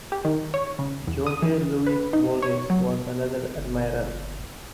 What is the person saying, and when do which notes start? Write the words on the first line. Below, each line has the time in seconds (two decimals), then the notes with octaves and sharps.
Jorge Luis Borges was another admirer.
0.12 G4
0.25 D#3
0.54 C#5
0.79 C#3
1.07 E2
1.27 D#6
1.42 E3
1.86 B4
2.13 D#4
2.42 C#5
2.70 F#3
3.57 G1